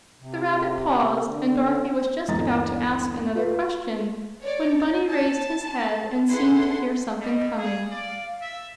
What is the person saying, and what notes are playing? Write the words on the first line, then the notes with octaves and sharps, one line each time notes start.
The Rabbit paused, and Dorothy was just about to ask another question when Bunny raised his head and seemed to hear something coming.
C3
D3
G1 D#2 E3 D#5 A#5 A6
F4 B4
C#5 D5
A5
E4 G#4 A4 B4 F#5 C6
G3 D#5
G#4 F5
D5
E5